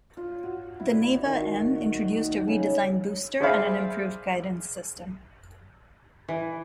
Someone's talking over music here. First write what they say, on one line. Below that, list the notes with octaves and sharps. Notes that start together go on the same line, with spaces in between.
The Neva-M introduced a redesigned booster and an improved guidance system.
F4
F#4
E4
D5
D#3
F#4
D#4
C#3
G#4 C5 D5 E5 F5 B5
E3